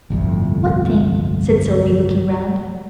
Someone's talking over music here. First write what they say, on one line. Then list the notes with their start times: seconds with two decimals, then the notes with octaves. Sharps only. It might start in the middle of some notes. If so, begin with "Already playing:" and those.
"What thing?" said Sylvie, looking round.
0.10 G1 C2 F2 A2